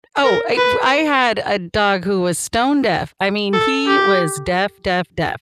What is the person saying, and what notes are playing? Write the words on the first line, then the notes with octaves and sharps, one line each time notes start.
Oh, it w I had a dog who was stone deaf. I mean, he was deaf, deaf, deaf;
A#4
B4
A4
G4